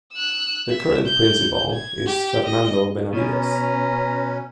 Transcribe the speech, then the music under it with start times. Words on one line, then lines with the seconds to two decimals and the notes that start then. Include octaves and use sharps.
The current principal is Fernando Benavides.
0.13 E6 F#6
0.70 E5
1.06 G6
1.73 G#6
2.06 G4
2.44 D#5
3.13 B2 C#4 B4 A#5